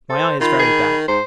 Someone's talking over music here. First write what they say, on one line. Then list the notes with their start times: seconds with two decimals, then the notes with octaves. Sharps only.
My eye is very bad.
0.09 A4 C5
0.41 D#3 F4 B5
0.59 G#4
1.08 G#2 C5